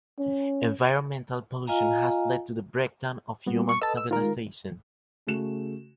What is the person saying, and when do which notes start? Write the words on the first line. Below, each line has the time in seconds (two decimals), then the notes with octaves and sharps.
Environmental pollution has led to a breakdown of human civilization.
0.19 C#4
1.67 F4 D#5 F5 G#5 A#5
3.46 G3 B3 F#4
3.69 C#6
3.82 A4 B4 D#5 A5 E6
3.97 E6
4.11 D#3 G#3 F4 A#4
5.27 C#3 A3 F#4 E7